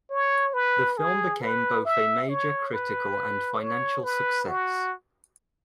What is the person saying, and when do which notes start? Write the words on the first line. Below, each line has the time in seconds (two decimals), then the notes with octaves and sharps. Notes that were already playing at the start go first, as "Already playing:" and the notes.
The film became both a major critical and financial success.
0.10 C#5
0.54 B4
0.98 G#4
1.42 B4
1.85 E5
2.29 C#5
2.73 B4
3.60 C#5
4.04 B4
4.48 F#4